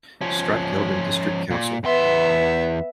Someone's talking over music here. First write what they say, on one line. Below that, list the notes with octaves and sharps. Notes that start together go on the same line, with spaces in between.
Stratkelvin district council.
F3 C#4
A#2
E2 B3 E5 C6